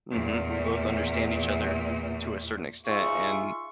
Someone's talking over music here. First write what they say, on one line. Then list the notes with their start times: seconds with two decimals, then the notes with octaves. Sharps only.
mhm, we both understand each other to a certain extent and
0.11 E2 A#2
2.87 D#4 F4 G#4 E5 C6 C#6